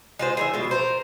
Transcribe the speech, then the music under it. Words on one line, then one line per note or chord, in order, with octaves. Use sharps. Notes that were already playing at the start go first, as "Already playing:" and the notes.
That was
G#3 F4 C5
G#4 A#4 E5
B2 F4
A#4 C5